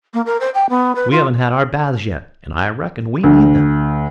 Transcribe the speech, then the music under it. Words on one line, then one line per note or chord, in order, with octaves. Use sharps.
"We haven't had our baths yet and I reckon we need them."
A#3
A#4
C5
G5
B3
B4
F4
D2